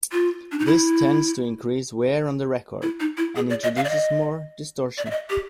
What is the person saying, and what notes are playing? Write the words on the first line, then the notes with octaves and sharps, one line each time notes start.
This tends to increase wear on the record, and introduces more distortion.
F4
D4
D#4
E4
E4
D#4
E4
G#4
D5
D#5
F5
D5
D#5
D5
E5
D#5
G4